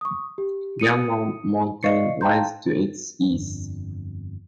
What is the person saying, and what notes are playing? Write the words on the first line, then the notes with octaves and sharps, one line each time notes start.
Yunlong Mountain lies to its east.
C#6 D#6
G4
D#6 C#7 D#7
D5 D#5 F5 C#6 C7 C#7
F5 G5 A5 A#5 C6 G6
G1 F2 D4